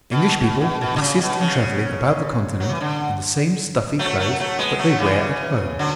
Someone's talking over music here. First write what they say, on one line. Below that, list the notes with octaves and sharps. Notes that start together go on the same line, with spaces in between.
English people will persist in travelling about the Continent in the same stuffy clothes that they wear at home.
B2
B2
B2
B2
D3
C#3
B2
C#3
F#3
E3
D3
F#3 A3
F#3 A3
F#3 A3
G#3 B3
F#3 A3
C#3 E3
D3 F#3